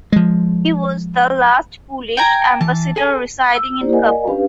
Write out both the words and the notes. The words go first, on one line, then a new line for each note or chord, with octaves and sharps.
He was the last Polish ambassador residing in Kabul.
F3 G#3
G5 G#5 A#5
E3 A5
G#4 A4 G#5
E6
A#3 E4 G4 C5 D5
A#4 D5 D#5 F#5 G#5
C#4 D4 G4 B4 F5